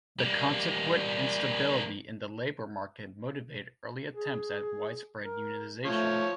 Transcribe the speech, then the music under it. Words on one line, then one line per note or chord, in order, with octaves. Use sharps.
The consequent instability in the labor market motivated early attempts at widespread unionization.
G3 A#3
G#4
A#4
F3 A3 C#5